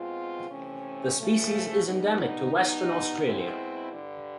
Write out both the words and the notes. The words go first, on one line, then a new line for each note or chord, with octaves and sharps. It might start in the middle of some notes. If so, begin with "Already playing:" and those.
The species is endemic to Western Australia.
Already playing: B2 G#3 C4 F4
C3 E3 A3 C#4
C#3 F3 A3
B2 G3 B3 D#4
B2 G3 B3 D#4
B2 G#3 C4 E4
G2 D3 G3